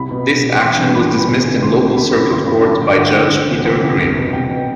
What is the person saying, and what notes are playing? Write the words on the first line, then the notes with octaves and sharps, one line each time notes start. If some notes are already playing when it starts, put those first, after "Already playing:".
This action was dismissed in local circuit court by Judge Peter Grimm.
Already playing: C2 B5
B2
C2
B2
A1 C6
G2 E3
A1 B5
G2 E3
D2
C3 E3
D2 C6
C3 E3
G1 B5
F#2 D3
G1 C6
F#2 D3 B5
G1 A5
G2 D3 G5
G1 F#5
G2 D3
D2
C3 E3
D2 G5
C3 E3
C2
B2
C2 G5
B2